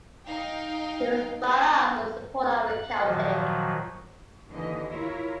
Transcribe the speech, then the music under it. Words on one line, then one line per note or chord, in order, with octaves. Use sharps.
He was brought up a supporter of Celtic.
D#4 F5 G5
F#6
A#2 D#3 F3 F#3 F#4
D#2 D3 E3 A#3 D4 D#5
E4 F4 A#4 C#5 E5